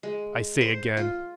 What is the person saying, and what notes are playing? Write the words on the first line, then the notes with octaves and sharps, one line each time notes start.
I say again.
G#3
C5
F4